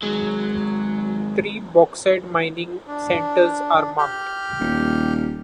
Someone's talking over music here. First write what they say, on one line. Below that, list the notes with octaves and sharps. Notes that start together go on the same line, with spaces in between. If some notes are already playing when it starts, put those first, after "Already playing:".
Three Bauxite mining centres are marked.
G#1 F#3 G#3
D4
G4 F6 G6
D#1